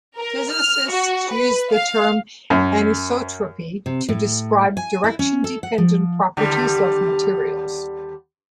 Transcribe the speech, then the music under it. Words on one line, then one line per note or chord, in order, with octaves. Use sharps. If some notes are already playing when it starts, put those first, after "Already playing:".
Physicists use the term anisotropy to describe direction-dependent properties of materials.
A#4
F6
F#4
B4
F5
F#2
C3
A2
G#5
E4
C#4
A4
F#5
F3
D#2 D3 G3